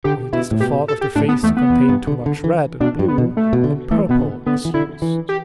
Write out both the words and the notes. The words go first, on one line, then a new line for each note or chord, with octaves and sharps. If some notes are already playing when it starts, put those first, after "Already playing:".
When it is the fault of a face to contain too much red and blue, then purple is used.
D3 G4
B2 E4
A2
B2 G4
A4
G4
A2 D4
B3
E2 A3
B3
E2
G2
D3
D3
E3
B2 D4
G2
B3
B2
A3
B2
D3
E3 A3
B2 B3
D3
D3 B3
E3
D3 E4
E3
G4